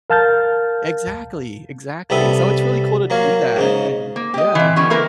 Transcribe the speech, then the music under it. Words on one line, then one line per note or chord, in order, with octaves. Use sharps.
Exactly, exactly. So, it's really cool to do that, and yeah.
A#4 F5 A5 F6 G6 A6
C2 G3 B3 A4 E5 D#6
F#3 A#3 C#5 F5
G#2 C#3 D#4
A#3
G4 D#5
E3 C4
D3 G3 B3 C#4
A#3 E4 A#4 B4